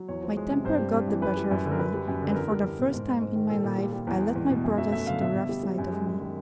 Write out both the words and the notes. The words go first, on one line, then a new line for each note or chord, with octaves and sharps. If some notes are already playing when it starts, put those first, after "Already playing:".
My temper got the better of me, and for the first time in my life I let my brother see the rough side of me.
Already playing: F#3
E2 C#5
F3
G#3
C3
G2 C5
G3
G2
E3
F#2 B4
G3
F#2
D3
A#4
F#2 B4
G3
F#2
D3
B4
E2 A#4
G3
E2
B2
G#2
G#3
G#2
D#3
A#2 A4
A#2
G3
G3
E2
G#3
E2
B2
F#2
F#3 E5
A3 E5
D3 F5
B2 E5
B2
G3
G3
F#2
G#3
F#2
D#3